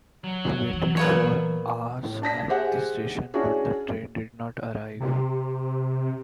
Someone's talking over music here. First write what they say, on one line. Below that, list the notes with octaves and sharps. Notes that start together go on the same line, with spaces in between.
He waited for hours at the station, but the train did not arrive.
F#3
E3
A#2 B3 C#5
A2
D4 A5 A#6 B6
G4 G#4 C5 E5 F#5
C#4 D4 E4 F#4 G#4
C3